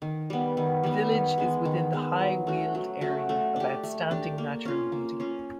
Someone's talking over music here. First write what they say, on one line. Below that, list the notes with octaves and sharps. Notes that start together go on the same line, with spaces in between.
The village is within the High Weald Area of Outstanding Natural Beauty.
D#3
G3 B3
D#3
G3 B3
D#3
G#3 B3
D#3
G#3 B3
F#3
A3 C#4 F#4
F#3
A3 C#4 F#4
A3
D4 G4
A3
D4 G4
A#3
C#4 F4
A#3
C#4 F4